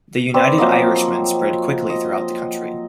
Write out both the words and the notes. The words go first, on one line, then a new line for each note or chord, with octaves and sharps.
The United Irishmen spread quickly throughout the country.
C4 B4 D5
F3 F#3 A#3 D#5
D#5